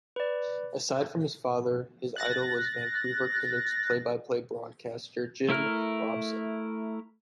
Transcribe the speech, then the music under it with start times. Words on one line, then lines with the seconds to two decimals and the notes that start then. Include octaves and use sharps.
Aside from his father, his idol was Vancouver Canucks play-by-play broadcaster Jim Robson.
0.16 B4 D5
2.16 F#6 A6 A#6
5.49 A3 E4 A#4 F6